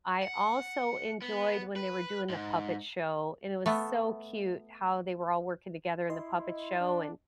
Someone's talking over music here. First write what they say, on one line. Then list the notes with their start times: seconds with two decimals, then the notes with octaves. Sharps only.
I also enjoyed when they were doing the puppet show, and it was so cute how they were all working together in the puppet show, and
0.22 F#5
1.22 B3
1.76 B4
2.29 G#2
3.66 A3 B3 A4
6.10 E4 D#5 C6
6.80 D4